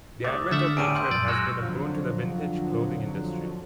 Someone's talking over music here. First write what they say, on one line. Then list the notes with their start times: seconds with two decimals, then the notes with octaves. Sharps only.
The advent of the internet has been a boon to the vintage clothing industry.
0.24 C2 A3 D6 D#6
0.51 D3 A3 E5 F#5 E6 F6
0.77 E2 A2 G3 D7 D#7
0.95 C6 E6 G6
1.11 F#2 D5
1.28 F#3 G#3 F#4 F6
1.61 F2 D3 F3 F#3